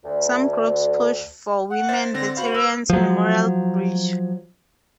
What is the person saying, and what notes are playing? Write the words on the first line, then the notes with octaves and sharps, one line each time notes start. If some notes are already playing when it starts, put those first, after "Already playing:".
Some groups pushed for "Women Veterans Memorial Bridge".
D2
F#5
C5 E5 A6
D3 C4 A#6
F#4 C5 F5 B5
B4 E6
F3 F#3